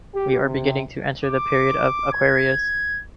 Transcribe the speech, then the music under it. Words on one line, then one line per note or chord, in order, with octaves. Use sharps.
We are beginning to enter the period of Aquarius.
G4
C3
D6
G#6